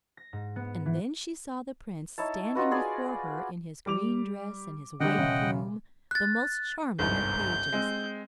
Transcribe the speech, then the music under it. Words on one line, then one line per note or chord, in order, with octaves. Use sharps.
And then she saw the prince standing before her, in his green dress and his white plume, the most charming of pages.
A#6
G#2
B3
E3
D#4 E4 C#5 A5
D#4 F4 F#4 B4
G#4 B4 D5 G#5
G3 D6 F7
D3 G3 D#5 F#5 G5
E1 C#3 E5
F#6 A6
G1 C2 G#2 G6
G#3 C4